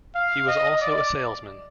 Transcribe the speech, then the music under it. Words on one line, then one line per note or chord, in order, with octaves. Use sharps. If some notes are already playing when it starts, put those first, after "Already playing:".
He was also a salesman.
F5
D#5
D5